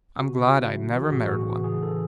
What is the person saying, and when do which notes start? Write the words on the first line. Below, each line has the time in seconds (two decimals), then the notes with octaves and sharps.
I'm glad I never married one!
0.20 C#3 F#4
0.38 C#3
0.57 C#3 E4
0.74 F#3
0.92 E3 F#4
1.01 G#4
1.11 A2 F#4
1.28 A2 F#4
1.47 E3
1.64 C#3 G#4
1.82 E3 A4